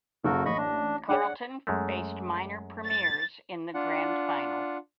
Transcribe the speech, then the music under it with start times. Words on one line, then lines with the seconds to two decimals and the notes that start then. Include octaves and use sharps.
Carlton faced minor premiers in the Grand Final.
0.24 F#1 F#4 A4 A#4
0.46 A1 D#5 B5 C#6 A#6
0.58 D4
1.09 D4 G#4 C#5 F#5
1.67 F#2 G#3 A3
2.85 A6
3.74 D4 F4 F#5